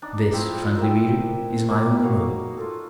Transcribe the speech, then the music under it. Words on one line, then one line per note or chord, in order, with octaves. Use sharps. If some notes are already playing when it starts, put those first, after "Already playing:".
This, friendly reader, is my only motive.
D4 D#4
F3 C4 E4
A#4 E5 G5
A#3 D4 E4
D#4 F#4 C#5 F5
F4 A4